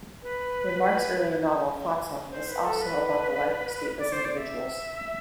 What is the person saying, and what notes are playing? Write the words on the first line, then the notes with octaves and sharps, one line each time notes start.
Remarque's earlier novel "Flotsam" is also about the life of stateless individuals.
B4
C5
B4
A4
B4
D5
C5
D5
E5